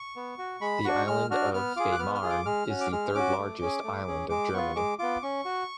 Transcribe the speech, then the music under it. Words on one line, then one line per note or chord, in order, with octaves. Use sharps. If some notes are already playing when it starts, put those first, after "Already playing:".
The island of Fehmarn is the third largest island of Germany.
Already playing: C#6
B3
F#4
G#3 B5
D4 F#4 C#6
G#3 F6
D4 F#4 F6
B3 F6
F4 G#4 D6
F#6
B3 F6
F6
F4 G#4
D6
G#3 F6
C#4 F#4
D6
G#3 F6
C#4 F#4 D6
A3
C#4 G#4
A3
C#4 G#4
G#3 D6
B3 F4 C#6
G#3 D6
B3 F4 D6
C#4 C#6
F#4